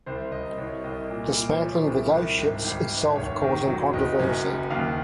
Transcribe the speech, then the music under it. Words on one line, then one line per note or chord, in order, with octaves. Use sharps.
Dismantling the "ghost ships" itself causing controversy.
C2 C5
C2 D#5
C2 C#5
C2 D#5
A#2
A#2
C5
F3 C#5
C2
C2
G#1
G#1
G#1
F1 C#5
D#3
F#3
F#1 D#5
F#2
F#1
D#2 F5